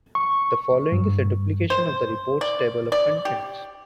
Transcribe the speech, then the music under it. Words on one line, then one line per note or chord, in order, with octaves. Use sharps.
The following is a duplication of the report's table of contents.
C#6
G2
C5
D5
D5
G4